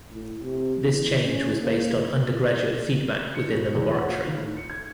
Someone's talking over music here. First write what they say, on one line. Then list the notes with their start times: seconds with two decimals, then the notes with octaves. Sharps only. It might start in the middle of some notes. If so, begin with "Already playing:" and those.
This change was based on undergraduate feedback within the laboratory.
0.13 A2
0.43 C3
0.81 E2
1.24 C#4
1.61 A#3
3.35 C#7
3.53 B2
3.75 E2
3.94 F#5
4.10 F4
4.26 D#3
4.38 A2
4.57 C#7
4.70 G#6